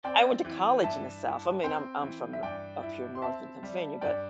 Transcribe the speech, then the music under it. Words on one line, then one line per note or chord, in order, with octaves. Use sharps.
I went to college in the South. I mean, I'm I'm from n up here North in Pennsylvania, but,
C4 D5 G5
E3
G2 E5 A5
E4
C4 G5 C6
E3
E5
G2 D5 G5
E4
C6
C4 E5 A5
G3
G2 D5 G5